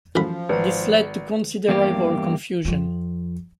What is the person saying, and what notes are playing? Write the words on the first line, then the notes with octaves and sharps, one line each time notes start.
This led to considerable confusion.
A1 F#2 F3 B5
G#1 B4 A#5
E2 G2 A#3 G4
F2 F3